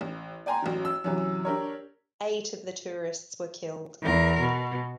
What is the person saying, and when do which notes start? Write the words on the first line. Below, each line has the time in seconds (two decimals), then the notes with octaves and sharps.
Eight of the tourists were killed.
0.01 A1
0.46 D5 G5 G#5 A#5 C6
0.62 A1 F#2 F#3
0.85 E6
1.04 F#2 C3 E3 F#3
1.45 D4 G4 A#4 C#5
4.02 E2 A#4
4.40 B2